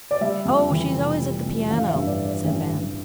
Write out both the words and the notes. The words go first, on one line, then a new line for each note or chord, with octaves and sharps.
"Oh, she's always at the piano," said Van.
D5
G3 E5
F2
E3
F1
G3
F2
A1 F5
E5
G2
D5
F3
D5
A1
A1